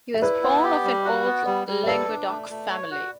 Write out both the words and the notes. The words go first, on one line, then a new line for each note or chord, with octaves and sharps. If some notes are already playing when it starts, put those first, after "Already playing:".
He was born of an old Languedoc family.
E5
E4 B4 D5
B3
G4
G3
F#4
B3
G3
G3
E5
A4 B4 D5
D4
A3
A3
C#5
F#4